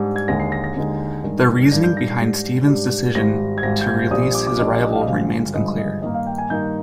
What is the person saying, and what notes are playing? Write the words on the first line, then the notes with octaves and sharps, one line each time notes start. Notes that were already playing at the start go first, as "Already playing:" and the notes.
The reasoning behind Stephen's decision to release his rival remains unclear.
Already playing: G#2 G3 D4
G#6
D#2 D3 G#3 D#4 A#6
C7
A#6
A#6
D#2 D3 G#3 D#4
G2 D#3 G#3 D4
G2 D#3 G#3 D4 A#6
G6
A#6
C7
G#2 G3 D4
G#2 G3 D4
G#1 G#2 G3 A#6
G#6
G#1 G#2 G3 A#6
G6
G#6
G6
A#1 A#2 G3 D4 D#6
D#6
D6
D6
A#1 A#2 G3 D4 D#5
D#5
D#5
F5
D#5
G#1 G2 D3 F3 G#3 F5
G#1 G2 D3 F3 G#3 D#5
D#5
G2 D#3 A#3 D#4 D#5
F5
G5
G#5
G2 D#3 A#3 D#4 G6